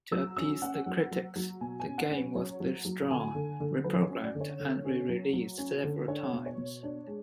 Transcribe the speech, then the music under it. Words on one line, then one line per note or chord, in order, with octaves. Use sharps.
To appease the critics, the game was withdrawn, re-programmed, and re-released several times.
F#3 E6
C#4 E6
C#4 F#5
F#3
F#3
F#3
B2 G#5
G#5
C#4
F#5
C#4
B4
F#3 C#5
F#3
F#3
D3 G#5
D3
D3
F#3 B4
C#5
C#4
D5
D3
C#5
D3
C#4
F#3
F#3
C#4
D3
D4 C#5
B2
C#5
B2
D4
G#3